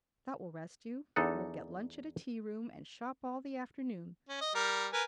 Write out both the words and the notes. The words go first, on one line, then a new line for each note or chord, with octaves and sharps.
That will rest you. We'll get lunch at a tea-room, and shop all the afternoon.
E2 D4 D#4 A4 D#5 F#5
C#4
D#5
G3 A#4
A#4 B4 G#5